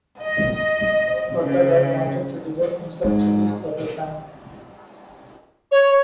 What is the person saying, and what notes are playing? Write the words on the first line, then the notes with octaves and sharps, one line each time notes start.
Doctor Roy wanted to devote himself to his profession.
D#5
C#3
G#2
C#5